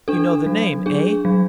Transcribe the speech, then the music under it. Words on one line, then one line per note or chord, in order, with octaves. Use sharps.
"You know the name, eh?"
D4 A4
F#3
D4 G#4
F#3